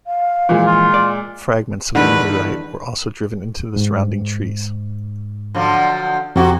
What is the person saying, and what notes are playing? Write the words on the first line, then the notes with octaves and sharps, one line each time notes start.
Fragments of the meteorite were also driven into the surrounding trees.
F5
A#2 E3 F3 G#3
F4
D5
E2 D3 D#3 G3 E4 B4
G#2
D3 F3 F#3
F2 C3 F#4